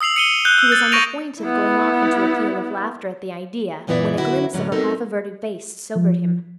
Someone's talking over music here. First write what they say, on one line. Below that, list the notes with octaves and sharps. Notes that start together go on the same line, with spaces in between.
He was on the point of going off into a peal of laughter at the idea when a glimpse of her half averted face sobered him.
D#6 E6 C7 F7 F#7
C#7 D#7 G7
F#6 G6 G7
E6
A6
C#6 G6 A#6 D7 D#7 F7
B3 E4
F#2 A#2 E3 B3 D5 E5
F#2 A2 D3 F#3 E4 F#4
A2 D3 F3 F#3 C#4
F#3 B3 C4 D#4 A4 A#4
F3